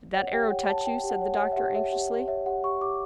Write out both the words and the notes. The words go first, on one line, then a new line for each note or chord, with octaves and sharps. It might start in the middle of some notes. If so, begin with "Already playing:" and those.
"Did that arrow touch you?" said the doctor anxiously.
C#5 F#5
G4 G5
C#5 F#5
C#5 A5
C#5 G5
G4
F#5
C#5
F#5
C#5
E5
G4 F#5
C#5 E5
G4 F#5
G4
C#5 E5
G4 F#5
G4 C#6
G4 D6